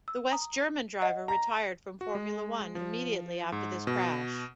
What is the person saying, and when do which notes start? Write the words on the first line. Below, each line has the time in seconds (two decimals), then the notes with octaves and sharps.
The West German driver retired from Formula One immediately after this crash.
0.08 E6
0.32 A#5 D#6
1.02 D#5 F#5 C7
1.28 A#5
2.01 F#4
2.15 G#3
2.75 F3
3.52 G#2
3.87 B2